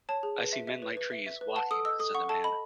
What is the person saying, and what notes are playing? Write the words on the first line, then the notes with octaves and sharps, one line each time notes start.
"I see men like trees, walking," said the man.
C#5 A5
G#4
B4
E5
E5
B4
B4
E5
E5
B4
F#5 A5
A4 D#6
D#5 E6
A4 D#6
F#5 C#6
A4 A5
D#5 B5